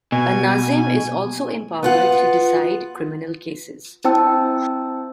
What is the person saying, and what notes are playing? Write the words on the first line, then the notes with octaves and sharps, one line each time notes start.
A "Nazim" is also empowered to decide criminal cases.
B2 G#5
B3 F4 F#5
C4 E4 C5 G5 A5 E6